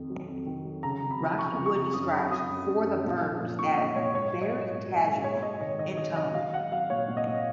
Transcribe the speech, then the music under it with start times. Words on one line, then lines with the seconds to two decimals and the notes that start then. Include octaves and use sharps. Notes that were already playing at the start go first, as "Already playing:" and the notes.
Rocky Wood describes "For the Birds" as "very casual" in tone.
Already playing: F2 D#3
0.10 F#3
0.28 F2
0.46 D#3
0.65 F#3
0.83 C#3 A#5
1.03 F2
1.11 B5
1.20 F3
1.39 C#3 C#6
1.57 C#3
1.66 C#6
1.76 F2
1.94 F#2 D#6
2.12 F#3 B5
2.31 F#3 D#6
2.49 F#2
2.68 F#2
2.86 F#2
3.04 A#2
3.22 F3
3.41 A#2
3.59 A#2 C#6
3.77 A#2 D#5
3.96 A#2 C#5
4.14 G#2 C#5
4.33 F#3
4.42 D#5
4.51 G#2
4.69 G#2
4.88 F#3
5.06 G#2
5.24 G#2 C#5
5.43 G#2 D#5
5.61 D#3 C#5
5.79 D#3 D#5
5.98 F#3 D#5
6.16 D#3 D#5
6.34 F#3 F5
6.53 F#3 F#5
6.72 F#3 F5
6.90 A#2 C#5
7.08 A#2
7.17 D#5
7.27 A#2